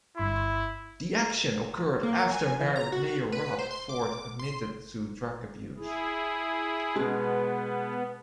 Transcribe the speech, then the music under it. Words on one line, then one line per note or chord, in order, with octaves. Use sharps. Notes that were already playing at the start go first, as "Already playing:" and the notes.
The action occurred after Mayor Rob Ford admitted to drug abuse.
G1 G2 E4 C6
A#3
G#5
E3
A#5
F#4
B4
C5
C6
D6
C6
E4 G#4
B2 G#3 B3